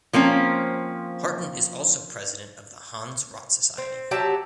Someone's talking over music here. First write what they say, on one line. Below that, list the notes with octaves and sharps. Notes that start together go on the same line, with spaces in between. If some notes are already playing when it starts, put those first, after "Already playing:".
Harten is also President of the Hans Rott Society.
F3 A#3 C4 C#4
C4
F#3 G4 E5 A5